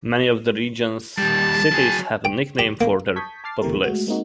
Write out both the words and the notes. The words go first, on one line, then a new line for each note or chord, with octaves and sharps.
Many of the region's cities have a nickname for their populace.
D#2 G3 A5
F#3 G#4
G5
G4
A#3
A5 C#6 D#6 G6 G#6 B6
A5 D6 F6 A6 C7
D2 B2 E3 A3 G4 A#4
G#3 A3 F#4
G#3 A#3 C4 D#4 F#4